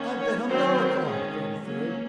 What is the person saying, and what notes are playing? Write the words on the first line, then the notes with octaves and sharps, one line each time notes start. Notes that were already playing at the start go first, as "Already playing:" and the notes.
"I bet on Dolokhov!" cried a third.
Already playing: D#3 A#3 C#4
C#5
D#3 F#3 C4 C5
A#4
D#3 G#3 C#4 G#4
F#3 A#3 C#4